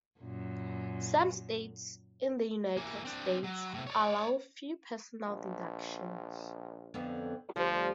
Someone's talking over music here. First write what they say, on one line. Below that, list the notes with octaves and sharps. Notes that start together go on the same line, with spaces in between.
Some states in the United States allow few personal deductions.
F#2 A#2
E3 A#3
C4 D4
F#3
A2 C3
C#5 D5
A#1
F2 D3 B3
D2 F3 G3 C5